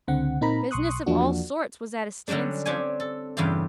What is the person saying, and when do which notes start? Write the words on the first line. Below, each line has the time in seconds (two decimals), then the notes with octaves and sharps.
Business of all sorts was at a standstill.
0.08 C#2 D3 C4 F#5
0.41 A#2 C4 D#4 A#4 A#5 B5
0.71 B1 C6 C#6 D#6 F#6
1.06 E2 F3 A#3 D4 F#4
2.28 D3 F#3 G3 C#4 D4
2.66 C4 D4 G4 C#5 G#5
3.00 A4
3.37 E2 G2 C#3 E3 F4 G4